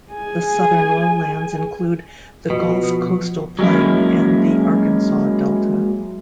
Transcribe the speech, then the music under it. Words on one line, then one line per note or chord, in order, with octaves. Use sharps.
The southern lowlands include the Gulf Coastal Plain and the Arkansas Delta.
G#4 G#5
B2 F3
F#3 G#3 A#3 C#4 E4